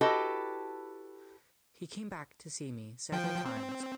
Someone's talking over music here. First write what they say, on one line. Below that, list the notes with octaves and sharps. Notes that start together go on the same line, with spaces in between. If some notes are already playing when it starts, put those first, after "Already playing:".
He came back to see me several times.
E4 F#4 G4 A4 B4 D#5
F3 G5
C4